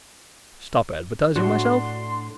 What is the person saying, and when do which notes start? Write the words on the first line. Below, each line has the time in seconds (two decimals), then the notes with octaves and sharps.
Stop advertising myself!
1.36 A2 D4 F#4 C6